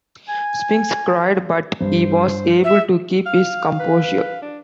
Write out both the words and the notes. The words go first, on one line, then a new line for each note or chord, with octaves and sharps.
Spinks cried, but he was able to keep his composure.
G#5
G2 C5
E5
F5 F6
B4
D4